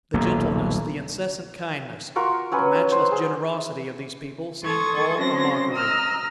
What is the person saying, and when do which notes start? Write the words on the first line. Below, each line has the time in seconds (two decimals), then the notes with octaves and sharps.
The gentleness, the incessant kindness, the matchless generosity of these people seemed all a mockery.
0.14 D#1 B1 A#3
2.16 F4 F#4 A#4 C#6
2.52 F#3 C#4 B4
2.92 C5
3.11 G#4
4.64 A4 A5 C6 C#6 D#6 G#6
5.18 F#3 C4 C#4 A5 C6 A#6
5.73 D#5 A#5 E6 F6